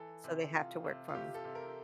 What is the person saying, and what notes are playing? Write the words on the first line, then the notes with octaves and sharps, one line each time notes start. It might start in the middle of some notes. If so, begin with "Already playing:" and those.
So, they have to work from
Already playing: E3 A4
C3
C3 F4
C3
F4
C3 G4
A4
C3
A#4